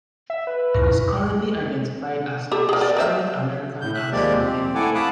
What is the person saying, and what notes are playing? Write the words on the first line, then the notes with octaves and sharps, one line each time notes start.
It is currently identified as the Historic American Axle Building.
E5
B4
C#2 F#2 A#2
G4 A4 B5
G#4 A#4
B4 D5
A#4 C5 E5
A2 G6
E5 F#6
D#2 F3 G#3 A#3 G4 D5
C4
A3 E4 A4 F#5 G#5 D6
F5 A5 B5 D6 D#6 F#6